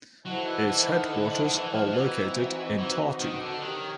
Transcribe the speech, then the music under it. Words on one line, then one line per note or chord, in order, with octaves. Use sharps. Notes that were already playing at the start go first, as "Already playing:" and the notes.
Its headquarters are located in Tartu.
F#3 E4 A4 C5 D#5 F#5
E3
E3
D#3
D3
D#3
D#3
E3
F3
F3
E3 C4 D#4 F#4 B4 D#5
E3
D#3
D3
D#3 G4 A#4 C#5